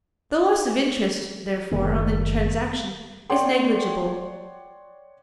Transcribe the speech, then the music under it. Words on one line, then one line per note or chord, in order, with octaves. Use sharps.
The loss of interest, therefore, on the transaction is negligible.
F#1 D#3 A#3
C#5 D5 F#5 G5 C6